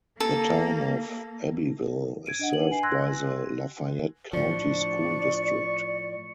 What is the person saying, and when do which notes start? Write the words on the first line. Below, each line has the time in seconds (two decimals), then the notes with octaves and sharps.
The Town of Abbeville is served by the Lafayette County School District.
0.20 A#3 A4
2.26 G#6 D7 D#7
2.39 D4 D#5 F#5
2.53 B4 F#7
2.71 G#5 C7
2.83 C6 E6 F#6 G#6 A#6
4.33 A2 F3 D4 D5 C#6